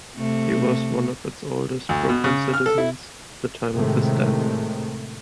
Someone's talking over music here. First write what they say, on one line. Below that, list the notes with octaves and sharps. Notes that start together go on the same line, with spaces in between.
He was one of its oldest Brooklyn citizens at the time of his death.
C3 A3
D2
B2
C#3
F6
A4
E4
A2 C3 D#3 G#3 A3